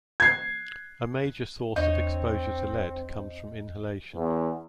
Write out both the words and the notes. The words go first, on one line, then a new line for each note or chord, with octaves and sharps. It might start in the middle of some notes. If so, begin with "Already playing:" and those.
A major source of exposure to lead comes from inhalation.
G#6 C7
E2 C4 D#4 C#5
E2